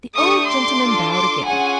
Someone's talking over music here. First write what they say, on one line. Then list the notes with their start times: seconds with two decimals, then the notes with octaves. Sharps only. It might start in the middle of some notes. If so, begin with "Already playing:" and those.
The old gentleman bowed again.
0.16 A3 D4 G4 C#6 D#6
0.49 C6 D6
0.82 D4 F4 A4
1.14 C6 D6
1.47 C#4 F4 G#4 F#5 G#5